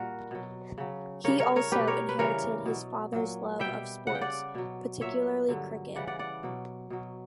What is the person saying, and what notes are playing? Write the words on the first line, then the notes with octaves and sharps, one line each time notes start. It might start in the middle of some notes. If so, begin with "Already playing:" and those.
He also inherited his father's love of sports, particularly cricket.
Already playing: A#2 G3 F#4 A#4
B2 F#3
C#3 F#3
C#3 G3 A#4 C#5
A#4 C#5
A#4 C#5
B2 G3 G4 B4
A#4 C#5
B4
C#3 E3 G3 A#4 C#5
B2 F#3
A#2 F#3
B2 G3 E5 G5
C#3 G3 F#5
G5
D5 F#5
B2 F#3
A#2 F#3 C#5 E5
G2 D3 F#3
C#3 E3 G3 D5 F#5
D5 F#5
D5 F#5
B2 F#3
B2 F#3